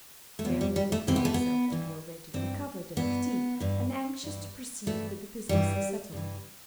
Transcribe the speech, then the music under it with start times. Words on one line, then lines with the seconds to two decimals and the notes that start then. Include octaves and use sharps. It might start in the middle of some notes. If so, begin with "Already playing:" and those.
Marian declared herself to be already recovered of fatigue, and anxious to proceed with the business of settlement.
0.39 A3
0.44 E2 C3 E3 B3
0.61 G3
0.76 G3
0.92 A3
1.07 E2 C3 E3 C4
1.16 B3
1.25 A3
1.34 B3
1.70 G2 E3
2.34 G2 E3 C4
2.97 G2 E3 B3
3.60 G2 E3
4.23 G2 E3
4.86 G2 E3 A3
5.49 G2 E3 G3
6.12 G2 E3